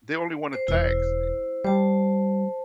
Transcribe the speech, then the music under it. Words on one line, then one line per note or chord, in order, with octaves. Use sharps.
They only want to text
C5
E1 E4 C5
G3 C5 A5